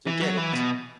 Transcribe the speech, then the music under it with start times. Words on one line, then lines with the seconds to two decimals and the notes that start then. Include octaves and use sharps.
Do you get it?
0.07 E3
0.21 F#3
0.37 E3
0.53 B2